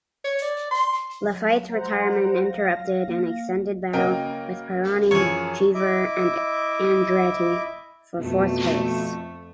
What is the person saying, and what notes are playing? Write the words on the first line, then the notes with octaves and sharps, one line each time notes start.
Laffite's retirement interrupted an extended battle with Pironi, Cheever and Andretti for fourth place.
C#5
D5
C6
F#3
C5 F#5 A#5
F5 A#6
A#3
C#3 F#3 A#3 A#4 D#5 G5
F#2 E3 F3 G#4 C#5
E4 D#5 E5 D6
F2 B2 A3